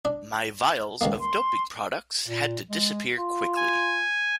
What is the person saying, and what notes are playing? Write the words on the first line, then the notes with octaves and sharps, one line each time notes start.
My vials of doping products had to disappear quickly.
D4
C#2 D#3 A#3
C6
A#2
G#3
F4
G#5